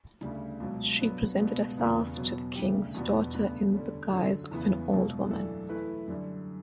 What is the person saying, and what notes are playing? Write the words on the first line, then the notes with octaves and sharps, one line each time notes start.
She presented herself to the king's daughters in the guise of an old woman.
D2 C#3 G3
C#2 B2 F#3
G2 F#3 B3
C#2 B2 G3 B3
E2 C#3 G3 B3
B2 F#3 B3
D2 C#3 G3 D4 G4
E2 B2 G3 B3 F#4
D2 C#3 G3 B3
D3 G3 C#4
F#2 D3 F#3
E2 C#3 E3 B3
C#2 B2 F#3
F#2 E3 A3 D4 A4
E3 A3 E4 B4
F#2 D3 G3